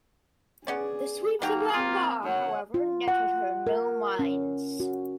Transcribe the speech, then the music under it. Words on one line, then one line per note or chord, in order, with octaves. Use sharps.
The sweeps of Angaur, however, netted her no mines.
B3 C#4 G#4 D5
F#3 A#3 D#4 G4 A#5
C4 F4
F#2 C#5 F#5
F4
F#5
A#4
C#4
F#4